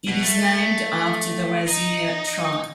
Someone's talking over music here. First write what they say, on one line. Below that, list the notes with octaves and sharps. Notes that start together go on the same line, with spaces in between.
It is named after the Wazir tribe.
B2
A3
D#4